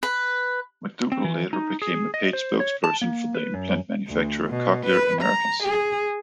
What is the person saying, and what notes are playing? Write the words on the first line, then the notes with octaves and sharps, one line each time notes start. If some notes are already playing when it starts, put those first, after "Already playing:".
McDougald later became a paid spokesperson for the implant manufacturer, Cochlear Americas.
B4
C4
E3
D#4
G#4
D#5
C5
C#5
A5
A#3
B4
F#2
D2
B2
B4
A#5
G#4